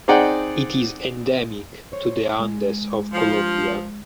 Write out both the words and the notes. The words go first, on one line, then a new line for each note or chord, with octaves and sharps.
It is endemic to the Andes of Colombia.
C4 D#4 G#4 D5 F#5 G5
C5 C#5
G#3
F3